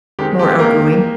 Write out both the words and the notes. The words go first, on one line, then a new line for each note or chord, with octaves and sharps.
more outgoing.
D#3 G#3 C4 D#4 G4
G4
A#3 A#4